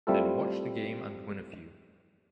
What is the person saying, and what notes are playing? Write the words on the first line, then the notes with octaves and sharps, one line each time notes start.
Then watch the game and win a few.
G3 A3 C4 E4 F4 A4